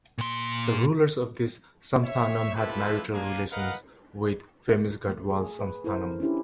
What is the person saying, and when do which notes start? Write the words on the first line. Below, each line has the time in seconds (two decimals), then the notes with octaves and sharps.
The rulers of this Samsthanam had marital relations with famous Gadwal Samsthanam.
0.18 A#2 C6
2.03 C#5 E5
2.55 C4 E4 F4 G4 A4 B4
3.13 A#3 D4 G#5
3.51 A#4 B4 D#5 F5 F#5
5.08 A3
5.30 G#4
5.59 B4
5.84 E4 A4 A#4 C5
6.20 C#4 D4 E4 G4